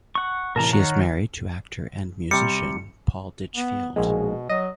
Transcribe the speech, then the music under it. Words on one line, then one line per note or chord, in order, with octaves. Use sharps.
She is married to actor and musician Paul Ditchfield.
F#5 C#6
A2 C3 E3 A#4 A5 A#5
D#3 C#5 F#5 A#5
C3 G3 C#7
B3
A#1 G#2 B2 G#3
F#3 D#5